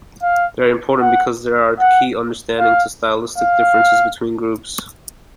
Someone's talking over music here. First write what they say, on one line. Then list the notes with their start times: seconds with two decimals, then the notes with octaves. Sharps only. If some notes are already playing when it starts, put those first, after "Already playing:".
They are important because they are the key to understanding stylistic differences between groups.
0.22 F5
1.01 F#5
1.80 F#5
2.59 F5
3.38 F5